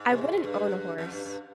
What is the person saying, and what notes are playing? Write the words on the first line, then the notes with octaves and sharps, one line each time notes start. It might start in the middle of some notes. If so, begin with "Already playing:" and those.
I wouldn't own a horse,
Already playing: G#2
C3
A#2
G#2
G2
F2
G2
G2